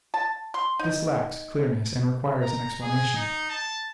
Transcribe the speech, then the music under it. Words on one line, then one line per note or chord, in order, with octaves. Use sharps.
This lacks clearness, and requires an explanation.
A5
C6
D#4
A#5
G#4
D#4
A5